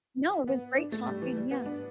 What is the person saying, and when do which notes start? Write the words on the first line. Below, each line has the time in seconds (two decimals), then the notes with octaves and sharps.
No, it was great talking yeah,
0.47 B3
0.77 D4
0.92 A3
1.07 G3
1.22 E3
1.37 G3
1.51 B3
1.66 D4